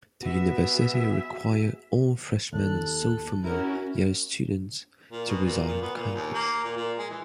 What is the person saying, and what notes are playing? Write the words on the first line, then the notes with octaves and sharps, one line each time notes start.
The university requires all freshman- and sophomore-year students to reside on campus.
B3 F#4 G#4 E5
D#2 A4 F#6
C#4 E4 F#4 A#4
A#2
B2
A#2
A#2
B3
A#2
D#2
A#3
A#2
A#2
G#3
E3